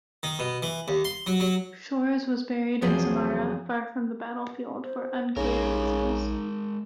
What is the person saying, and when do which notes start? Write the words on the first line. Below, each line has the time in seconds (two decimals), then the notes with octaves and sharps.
Shchors was buried in Samara, far from the battlefield, for unclear reasons.
0.23 D#3
0.39 B2
0.63 E3
0.88 D#2
1.05 C6
1.27 F#3
1.40 F#3
2.82 E2 C3 F3 F#3 G#4 C5
4.84 C5
5.37 A#1 C#3 G#3 D#4 A#4